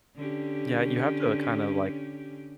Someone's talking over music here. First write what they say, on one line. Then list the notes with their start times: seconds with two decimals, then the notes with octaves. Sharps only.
Yeah, you have to kinda, like
0.16 D3 C#4 G4